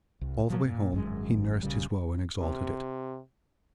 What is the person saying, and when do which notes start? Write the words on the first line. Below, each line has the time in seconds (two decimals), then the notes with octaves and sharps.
All the way home he nursed his woe and exalted it.
0.21 C2
0.50 F3 F#3
0.65 A#2
0.93 G#1 F#2 G#3
1.63 A#1 C#3 G3
2.40 C3